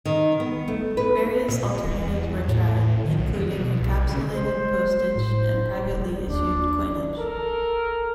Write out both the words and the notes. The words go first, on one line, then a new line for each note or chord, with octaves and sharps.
Various alternatives were tried, including encapsulated postage and privately issued coinage.
D#3
B3
A3
B4
A#2
E2
A2
A2
D#3
B1
F2
B2
B1
C#3
G#3 C5
A2
E1
D#2 D4
A4 A#4